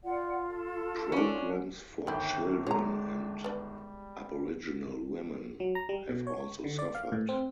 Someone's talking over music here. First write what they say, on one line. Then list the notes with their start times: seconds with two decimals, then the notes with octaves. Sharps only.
Programs for children and Aboriginal women have also suffered.
0.04 F4 D5 F#5
0.48 A4
1.12 C#4 D4
2.07 G1 D#2 D#3 E4 G5
2.67 G#3 D4 C#5 A#5
3.44 G3 B3 D4
5.60 F#3
5.75 A#5
5.89 G3
6.09 B2
6.27 C#5
6.64 D3
6.79 D5
6.95 F5
7.12 A2
7.29 C4